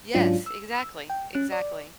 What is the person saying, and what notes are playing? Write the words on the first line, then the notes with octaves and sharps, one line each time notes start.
Yes, exactly, exactly.
G#2 F#3 C#4 D4 F4
E6
G5
C#4 F#6
D5